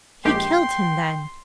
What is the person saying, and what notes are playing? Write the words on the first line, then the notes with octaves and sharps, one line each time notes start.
'He killed him, then.'
A#1 G#3 G4 G5 C6